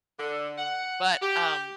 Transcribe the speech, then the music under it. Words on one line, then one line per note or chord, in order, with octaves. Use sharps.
But, um,
D3
F#5
G4